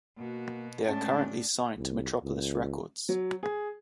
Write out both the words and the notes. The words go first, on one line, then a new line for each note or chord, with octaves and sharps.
They are currently signed to Metropolis Records.
B2 A#3 F#4
A2 G#3 C#4 D4 A5
C2
C#2
F#3
G#4